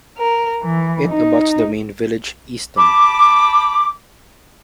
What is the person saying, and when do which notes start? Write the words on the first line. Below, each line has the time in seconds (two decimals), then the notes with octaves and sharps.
It abuts the main village Easton.
0.17 A#4
0.62 E3
1.07 D#4
2.77 A5 B5 D6